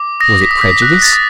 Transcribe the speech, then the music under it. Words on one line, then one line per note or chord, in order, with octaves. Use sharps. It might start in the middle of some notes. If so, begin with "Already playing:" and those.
Was it prejudice?
Already playing: D6
D#6 A#6
B6
D#6
B6
F#6
A6
D#6